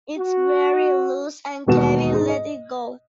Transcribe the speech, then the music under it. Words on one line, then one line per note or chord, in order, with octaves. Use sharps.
It's very loose, and Kevin let it go...
F#4
E1 D#2 B2 F#4 E7
G#2 G#4
D#5